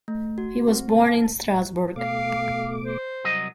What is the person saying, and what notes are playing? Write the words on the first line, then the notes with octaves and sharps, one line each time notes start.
He was born in Strasbourg.
A3
F#4
C4
A5
B2 A3 F5 D6
C5
C2 F#3 D#5